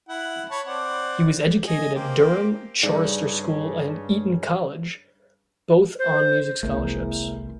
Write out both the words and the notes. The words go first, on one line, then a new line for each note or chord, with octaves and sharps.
He was educated at Durham Chorister School and Eton College, both on music scholarships.
E4 F#5
C#5 A5 B5
C4 D5 F#5
D#5 G#5
A#3 C4 G4
G2 C#3 D#4 G#4 D5
C5
G1 C2 A3 B3 E4 G#4 A#4